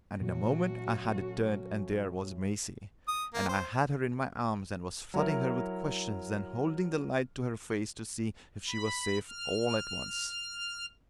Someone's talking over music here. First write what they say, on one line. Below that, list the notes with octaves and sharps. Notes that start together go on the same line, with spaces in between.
And in a moment I had it turned, and there was Maisie, and I had her in my arms and was flooding her with questions and holding the light to her face to see if she was safe, all at once.
A#2 E3 F#3 A3 C#4 F#4
D#6
A#3
C5
F#3 E4 A#4
B5
F6